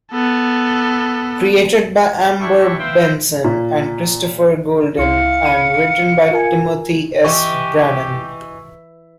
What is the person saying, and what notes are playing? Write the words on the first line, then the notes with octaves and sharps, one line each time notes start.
Created by Amber Benson and Christopher Golden and written by Timothy S. Brannan.
B3 A4
D4 E4 G4 E5 G#5 C#6
B4 C5 E5 F5 G5
A#2
C#2 E4 F5 C6 C#7
B5 D#7
F4 A#4 G#5
E3 G4 D#5 C#6